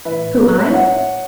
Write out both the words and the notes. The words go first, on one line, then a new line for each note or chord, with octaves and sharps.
"Who, I?"
A2 E3 B4 E5
C#5
E5
C#5 F#5